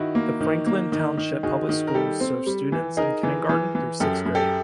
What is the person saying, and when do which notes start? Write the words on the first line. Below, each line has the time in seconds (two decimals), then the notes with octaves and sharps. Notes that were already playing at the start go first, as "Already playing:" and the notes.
The Franklin Township Public Schools serve students in kindergarten through sixth grade.
Already playing: D#3 E4 F#4
0.15 A#3
0.41 D#3
0.66 A#3
0.92 D#3
1.17 D#3
1.43 D#3 F#4 G#4
1.69 D#3
1.87 A#4
1.94 G3 G4 A4
2.20 C4
2.46 G3
2.72 E3
2.97 D#4 G#4 A#4
3.23 E3
3.49 E3
3.75 E3
4.00 F#2 G4 A4
4.25 F#2
4.35 G4 A4